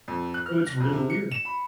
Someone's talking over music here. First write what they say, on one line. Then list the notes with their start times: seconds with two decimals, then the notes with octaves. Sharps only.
So it's really weird.
0.08 F2
0.34 F#6
0.46 F6
0.67 A#6
0.80 F2
0.93 C3
1.10 C#7
1.31 E7
1.45 B5